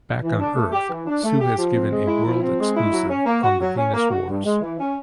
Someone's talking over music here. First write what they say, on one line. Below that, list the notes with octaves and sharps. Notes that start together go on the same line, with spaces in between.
Back on Earth, Sue has given a world exclusive on the Venus Wars.
E3
D4
A3
G4
E3
D4
A3
G4
F3
C4
G#3
E4
F3
C4
G#3
E4
F#3
C#4
A#3
F#4
F#3
C#4
A#3
F#4
G2
G#3
E3
C#4